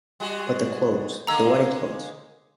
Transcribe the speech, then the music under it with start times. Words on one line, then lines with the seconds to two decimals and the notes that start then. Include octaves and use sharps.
But the clothes, the wedding clothes!
0.20 G3 G#3 F#4
1.27 D3 G#3 A#3 A#5 E6